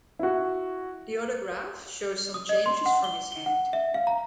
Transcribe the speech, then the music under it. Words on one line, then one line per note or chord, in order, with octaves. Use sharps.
The autograph shows some changes from his hand.
E4 F#4
D#6
D#5
C6
F#5
G7
G7
F#5
E5
F5
A#5